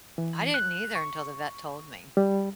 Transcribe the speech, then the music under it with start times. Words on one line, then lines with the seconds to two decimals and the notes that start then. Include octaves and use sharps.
I didn't either until the vet told me.
0.18 E3
0.54 F#6
0.95 C#6
2.17 G3